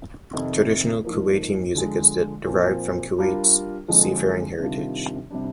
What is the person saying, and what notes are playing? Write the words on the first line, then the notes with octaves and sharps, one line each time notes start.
Traditional Kuwaiti music is derived from Kuwait's seafaring heritage.
F2 C3 D#3
G#2 F3 A#3
D3 F3 G#3
A#2 F3 C4
G3 D4 F4 A#4
F2 D3 F3 G#3
C3 D#3 G3 D4 F4
C3 G3 D4